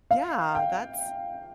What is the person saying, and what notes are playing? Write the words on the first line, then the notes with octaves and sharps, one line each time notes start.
Yeah, that's
F5
G5